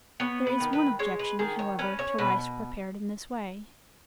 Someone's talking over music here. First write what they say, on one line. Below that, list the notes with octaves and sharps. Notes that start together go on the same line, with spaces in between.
There is one objection, however, to rice prepared in this way.
B3 C#5
B4
D#3
B4
G#3 C#5
B4
D#3 G#4
C#5
C#4 B4
C#5
B2 B4